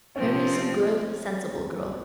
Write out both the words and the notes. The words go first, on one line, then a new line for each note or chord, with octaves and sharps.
Marry some good, sensible girl.
C3 F3 C4 C#4